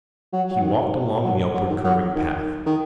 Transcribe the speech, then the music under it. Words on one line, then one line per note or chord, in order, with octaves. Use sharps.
He walked along the upwardcurving path.
F#3
F#3
D#3
F#3
F#3
D#3
F#3
D#3
D#3